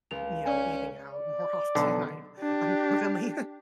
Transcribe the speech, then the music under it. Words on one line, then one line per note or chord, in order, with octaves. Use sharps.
n you know, eating out more often. I I'm definitely
C#2 F7
C#4 D5 G#5
D5
B1 D3
D4 G4